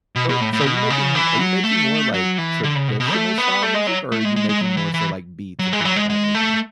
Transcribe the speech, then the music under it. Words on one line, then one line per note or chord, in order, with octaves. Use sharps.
So so are you making are you making more, like, traditional-style music, or are you making more so, like, beats and things of that nature?
B2
B2
A2
A2
C#3
B2
C#3
E3
F#3
A3
F#3
E3
D3
C#3
B2
B2
A3
B3
A3
G#3
F#3
A3
G#3
G#3
G#3
F#3
E3
E3
F#3
G#3
E3
F#3
G#3
G#3
A3